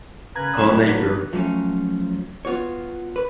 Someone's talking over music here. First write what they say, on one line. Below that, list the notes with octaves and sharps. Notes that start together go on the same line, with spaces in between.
On Apr.
C#3 A#3 C#4 B4 A#5 G#6
F#3 D#6 E7
C4 A#4 D5
A#3 D4 D#4 F#4 B4 D5
F3 F#3 A3 C#4
B3 F4 F#4 C#5
B4